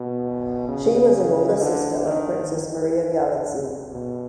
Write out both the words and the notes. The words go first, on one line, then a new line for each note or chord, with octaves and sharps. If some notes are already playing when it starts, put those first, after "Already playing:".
She was an older sister of Princess Maria Galitzine.
Already playing: B2
C#3
D3
D#3
B2